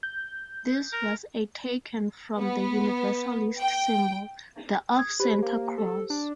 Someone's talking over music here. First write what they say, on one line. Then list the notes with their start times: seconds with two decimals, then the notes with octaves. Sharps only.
This was a taken from the Universalist symbol, the Off-Center Cross.
0.03 G6
0.93 A#4
2.38 B3
3.58 G5
4.97 D#6 G#6
5.20 G4 B4 C5
5.42 A#3
5.78 A4
6.10 D4